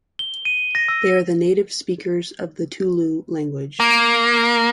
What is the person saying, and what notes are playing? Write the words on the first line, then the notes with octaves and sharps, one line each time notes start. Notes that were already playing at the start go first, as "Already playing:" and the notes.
They are the native speakers of the Tulu language.
G7
D#7
A#6
E6
A#3